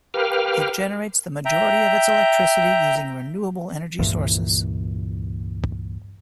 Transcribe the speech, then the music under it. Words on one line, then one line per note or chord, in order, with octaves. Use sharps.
It generates the majority of its electricity using renewable energy sources.
G4 A#4 B4 F5 G5 F6
E5 G5 A#5
C#2 G2 A#2 E3